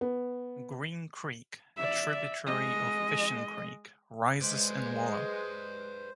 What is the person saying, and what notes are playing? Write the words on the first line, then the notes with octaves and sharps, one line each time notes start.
Green Creek, a tributary of Fishing Creek, rises in Waller.
B3
D5 E5
G#3 D#5
G#3 B4 C5 D5